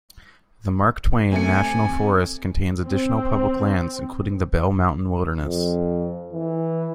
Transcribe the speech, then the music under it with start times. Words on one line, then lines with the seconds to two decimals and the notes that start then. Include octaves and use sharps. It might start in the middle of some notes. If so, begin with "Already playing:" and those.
The Mark Twain National Forest contains additional public lands, including the Bell Mountain Wilderness.
1.32 C3 A3 G#5 C#7
2.86 C4
5.41 F2
6.33 E3